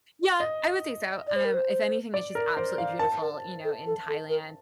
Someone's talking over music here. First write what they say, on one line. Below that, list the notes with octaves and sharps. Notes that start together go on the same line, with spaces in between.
Yeah, I would say so, um, if anything, it's just absolutely beautiful, you know, in Thailand
D#5
D5
C5
A#4
C5
D5
A#4
C5
F5
A#4 A5
A#4
A4
A4
A4
A#4